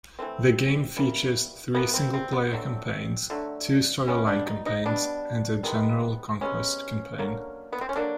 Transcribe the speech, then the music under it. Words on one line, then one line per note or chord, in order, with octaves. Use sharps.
The game features three singleplayer campaigns, two storyline campaigns and a general conquest campaign.
E3 A3 C4
E3 G3 A#3
E3 G3 A#3 B3
C4
C4
B3
D3 F#3 A3 C4
D3 F#3 A3
B2 G3 B3 C#4
D4
D#4
D#4
B2 G3 B3 D4
C3 D#3 G#3 B3
C3 D#3 G#3 B3 C#4
D3 F#3 A#3
B3
C4
C#4
D3 F#3 A#3 D4